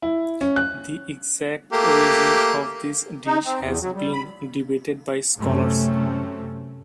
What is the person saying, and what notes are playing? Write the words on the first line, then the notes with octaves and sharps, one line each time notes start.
The exact origin of this dish has been debated by scholars.
E4
C#4
F#6
A3 A#3 G4
D#4
C4
E2
F#3
G3
B5
F#2 C3 A3 C4 C#4